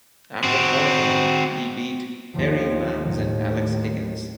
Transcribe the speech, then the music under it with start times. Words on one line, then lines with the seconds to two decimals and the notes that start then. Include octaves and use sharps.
After qualifying he beat Perrie Mans and Alex Higgins.
0.44 C4 F#4
2.35 D#2 F3
3.10 D#2 A2